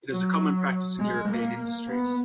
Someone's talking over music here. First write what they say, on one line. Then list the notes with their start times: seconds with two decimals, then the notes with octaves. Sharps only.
It is a common practice in European industries.
0.11 F#3
0.99 G#3
1.28 A#3
1.87 B3